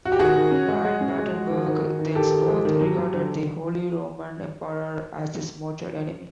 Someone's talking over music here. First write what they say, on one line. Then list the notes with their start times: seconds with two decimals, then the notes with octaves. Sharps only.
Van Batenburg thenceforth regarded the Holy Roman Emperor as his mortal enemy.
0.05 F#4
0.12 G4
0.19 D#3 F#4 G#4
0.35 D#3
0.51 C#4
0.68 G#3
0.85 G#3
1.01 C#4
1.18 G#3
1.33 G#3
1.50 D#3
1.66 D#3
1.83 D#3
1.99 D#3
2.15 D#3 G4 A4
2.32 D#3
2.48 G#3
2.65 D#3
2.81 F#3
2.98 F#3
3.14 D3